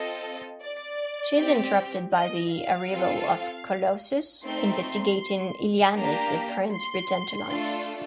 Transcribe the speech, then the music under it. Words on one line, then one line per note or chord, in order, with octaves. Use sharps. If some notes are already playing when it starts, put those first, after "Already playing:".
She is interrupted by the arrival of Colossus, investigating Illyana's apparent return to life.
Already playing: C4 F4 A4 D#5
D5
C4 G4
D#5
F5
C4 F4 A4
A3 C4 D#4 C6
A#3 D4 G4 A#5
C6
A3 D4 F4 A4